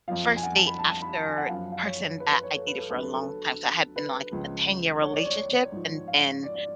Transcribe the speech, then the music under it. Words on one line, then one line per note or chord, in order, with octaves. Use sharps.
first date after person that I dated for a long time. So I had been, like, a ten-year relationship and then
F2 F3 F5
G#5
F#5
A5
B5
A5
A5
B5
A5
G#5
F#5
F#2 F3 F5
F5
C#5
B4
B4
C#5
A4
B4
A4
D2 D3 F#3 B4
A4
A4
B4
C#2 C#3 F3
C#5
D5
C#5
G#2 F3
F5
D5
D5